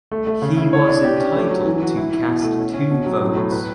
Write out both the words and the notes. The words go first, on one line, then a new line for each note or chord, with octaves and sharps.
He was entitled to cast two votes.
A3
A3
C#3
E4
C#5
D4
G4
C#4
A3
F#3
E3
F#4
E4
E4
B2
A3
C#4
C#4
B2
F#3
A2
A2
B4